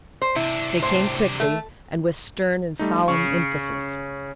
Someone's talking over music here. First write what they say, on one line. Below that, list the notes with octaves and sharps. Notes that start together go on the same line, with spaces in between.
They came quickly and with stern and solemn emphasis.
C5
C3 D4 E4
A2 C5
A3
G3 A3 D#4
C#3 C#6